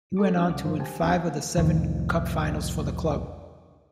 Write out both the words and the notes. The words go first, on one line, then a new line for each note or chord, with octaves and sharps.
He went on to win five of seven cup finals for the club.
A4 D#5 A5 C#6 D6
F#3 C#4 D4 F#4 E6
C2 C#3 F#5 D6
G2 F3 C5
G4 C5 G#5 A5
G1 D#2 C4 D4 G4 B5
C2 F2 A2 D#3